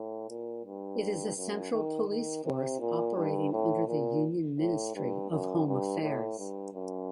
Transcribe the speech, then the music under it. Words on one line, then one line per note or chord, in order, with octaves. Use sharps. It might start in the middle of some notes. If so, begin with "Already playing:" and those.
It is a central police force operating under the Union Ministry of Home Affairs.
Already playing: A2
A#2
G2
F#2
D#3
D#3
C3
A#2
G2
A2
A#2
A2
G2
F#2
G2
A2
G2
F#2